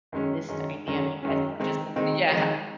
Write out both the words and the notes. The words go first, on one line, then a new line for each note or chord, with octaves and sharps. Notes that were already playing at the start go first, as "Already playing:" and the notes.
this dynamic as much as I" Yeah.
F#2 D#3 G#3 C#4
F#2 D#3 G#3 C#4
F#2 D#3 G#3 C#4
F#2 D#3 G#3 C#4
D#3 G#3 C4 D#4
D#3 G#3 C4 D#4
D#3 G#3 C4 D#4